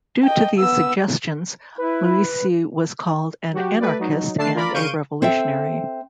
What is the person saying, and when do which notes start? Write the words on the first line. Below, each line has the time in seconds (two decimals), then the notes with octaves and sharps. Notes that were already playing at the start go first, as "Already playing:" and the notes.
Due to these suggestions, Luisi was called an anarchist and a revolutionary.
0.24 D#5 G5
0.59 B3 E6
1.78 E4 B4
3.53 F#3 F#4 G4
3.79 A3 B4 D5
3.99 F#3 D#4
4.37 D3 A3 D4 A5 C7
4.55 F4 A#4 D5 B5
4.73 C#3 F5 C#6 G6 D7 D#7
5.22 C4 A4 E5 G5